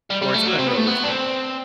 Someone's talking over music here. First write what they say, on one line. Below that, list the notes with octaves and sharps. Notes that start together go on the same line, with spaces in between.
Or, it's unrealistic.
G3
G3
A3
F#3
C4
B3
A3
B3
D4
C4